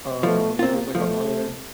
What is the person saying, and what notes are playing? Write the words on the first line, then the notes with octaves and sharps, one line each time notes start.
um, there was like a haunted
F3 A3
A#3 C4 F4
F3 A3